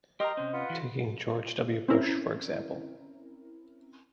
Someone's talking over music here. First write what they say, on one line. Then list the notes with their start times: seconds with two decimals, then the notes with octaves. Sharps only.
Taking George W. Bush, for example.
0.20 G4 A#4 D#5 G5 A#5 C6 F6
0.37 C3 C#4 C5
0.53 F4 B4 F#5
0.70 E3 F#4
1.88 C4 C#4 E4 A#4